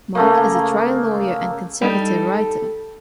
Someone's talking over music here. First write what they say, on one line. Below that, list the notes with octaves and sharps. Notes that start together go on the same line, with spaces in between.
Mark is a trial lawyer and conservative writer.
C#3 A3 A#3
G3 D#4 A4